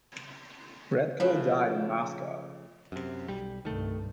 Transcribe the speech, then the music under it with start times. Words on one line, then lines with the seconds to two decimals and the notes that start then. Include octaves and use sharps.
Red'ko died in Moscow.
1.20 C#3 F3 A3 B4
2.92 F#2 C3
3.28 B1 G3
3.65 C2 G2 D#3 A3